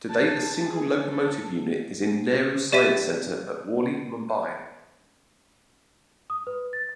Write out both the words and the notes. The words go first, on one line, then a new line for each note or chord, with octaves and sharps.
Today the single locomotive unit is in Nehru Science center at Worli Mumbai.
A5
G#4
A4
G4 D5 E5 B6 D#7
D#6
B4
A6